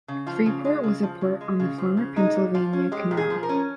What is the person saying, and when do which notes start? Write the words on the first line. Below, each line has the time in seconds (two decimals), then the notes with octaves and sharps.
Freeport was a port on the former Pennsylvania Canal.
0.08 C#3
0.27 F3 F4
0.46 C#3
0.65 G#3
0.83 C#3
1.03 F3
1.21 C#3
1.41 G#3
1.60 C#3
1.78 F3
1.97 C#3
2.16 G#3 D#4
2.35 A#2
2.54 F3 F4
2.73 C#4
2.92 G#3 G4
3.11 A#2
3.17 G#4
3.30 F3
3.43 A#4
3.49 C#4